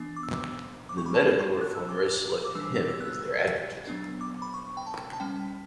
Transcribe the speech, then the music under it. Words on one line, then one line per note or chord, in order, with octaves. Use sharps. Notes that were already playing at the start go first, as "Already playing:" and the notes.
The medical reformers selected him as their advocate.
Already playing: E3 B3 D4
D6
E6
D6
C#6
B5
A5
G3 D4
F#6
E6
D6
D6
E3 G3 D4 E6
E6
F#6
E6
F#3 B3 D4
D6
B5
C#6
G5
A5
A5
G3 C#4 G5